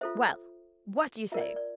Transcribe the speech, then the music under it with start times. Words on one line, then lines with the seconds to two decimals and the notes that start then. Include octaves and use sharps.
Well, what do you say?
0.01 F4 A4 C5 E5
1.32 F4 A#4 E5
1.40 D5
1.56 D5